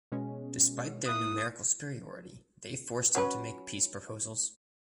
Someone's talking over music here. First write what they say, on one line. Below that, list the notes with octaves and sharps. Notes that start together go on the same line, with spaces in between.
Despite their numerical superiority they forced him to make peace proposals.
B2 G#3 C#4
A#3 E4 D#6 F#6
F#3 C#4 B4